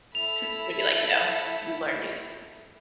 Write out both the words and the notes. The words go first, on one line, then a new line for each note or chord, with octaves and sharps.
It's gonna be like, no, you learn new things.
E4 A4 B5 F7